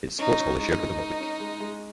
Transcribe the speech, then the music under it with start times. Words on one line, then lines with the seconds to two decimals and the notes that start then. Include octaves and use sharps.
Its sports hall is shared with the public.
0.19 C#4 D#4
0.40 C#4
0.59 G#3 D#4
0.80 G#3
1.00 A#4
1.20 C#4
1.40 G#3
1.60 G#3